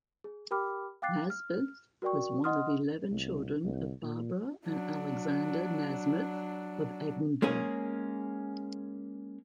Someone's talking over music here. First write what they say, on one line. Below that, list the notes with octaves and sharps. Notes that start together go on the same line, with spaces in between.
Nasmyth was one of the eleven children of Barbara and Alexander Nasmyth of Edinburgh.
G#4
G4 A#4 G5 B5 D6 F6
F5 G5 D6 F#6 A6 C7
F6
F#4 A#4 D5 G5 C#6
D#5 F#5 C6 D#6 F6
C2
C2
A#2
F#3 D4
G#3 A#3 C#4 G#4